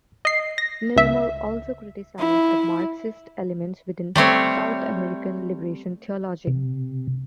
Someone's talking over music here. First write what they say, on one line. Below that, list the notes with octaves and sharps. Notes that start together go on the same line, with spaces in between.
Nirmal also criticised the Marxist element within South American liberation theology.
D#5 C7
A#6
C#2 E5
E4
G3 A3 C4 C#5
C3